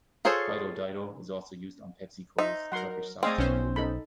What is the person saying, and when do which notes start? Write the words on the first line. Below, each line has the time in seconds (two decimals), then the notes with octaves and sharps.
Fido Dido is also used on PepsiCo's Turkish soft drink Fruko.
0.25 F4 G#4 A4 C5 C#5
2.39 D#4 C5 E5
2.72 F#3 A#4 F#5 C6
3.23 A3 C4 G#4 D5 D#5 F5
3.38 B1 B3 C#4 C5
3.76 D#4 A4 B5